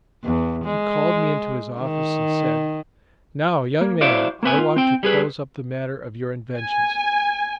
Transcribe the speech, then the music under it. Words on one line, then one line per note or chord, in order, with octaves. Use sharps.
He called me into his office, and said: 'Now, young man, I want to close up the matter of your inventions.
E2
G#3
D#3
A#3
E4 F#4 C5 D5 E5 F5
A#3 C4 B4 G#5
F4
C4 G5
G3 G#4 B4
G#5